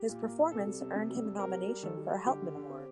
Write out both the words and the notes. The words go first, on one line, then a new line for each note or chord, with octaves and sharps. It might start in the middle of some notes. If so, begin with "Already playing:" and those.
His performance earned him a nomination for a Helpmann Award.
Already playing: G4
A#2
A#3
A#2
C3 A4
G3
C3
C3
G3
C3
C4 A#4
G3
G3
D#3 A4
G3
G3
D3 G4
D3
D3
C4